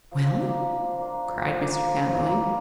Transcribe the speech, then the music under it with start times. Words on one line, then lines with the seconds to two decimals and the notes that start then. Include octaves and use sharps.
"Well?" cried Mr. Galloway.
0.11 F3
0.41 A#3 D4 F4
0.69 F3
0.98 A#3 D4 F4
1.27 F3
1.57 A#3 D4 F4
1.86 F3
2.14 A#3 D4 F4
2.43 G3